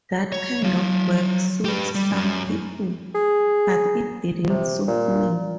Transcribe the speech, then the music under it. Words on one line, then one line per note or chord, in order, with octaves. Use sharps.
That kind of work suits some people, but it didn't suit me.
C#5
F#3 F5
G4 B4
G3
F#2
G#4
C3
A#2